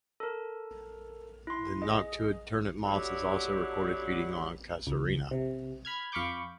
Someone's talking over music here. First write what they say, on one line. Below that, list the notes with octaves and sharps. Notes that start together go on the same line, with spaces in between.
The noctuid turnip moth is also recorded feeding on "Casuarina".
A4 A#4
E4 C6
G#4 D#5
D3 F#3 G3 E4
C#2
C3
B5 F6 G#6
F2 F5 B5 C#6 D6 G6